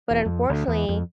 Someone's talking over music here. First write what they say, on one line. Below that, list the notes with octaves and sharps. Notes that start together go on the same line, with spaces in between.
But unfortunately,
E1
F2
D2
E2
F2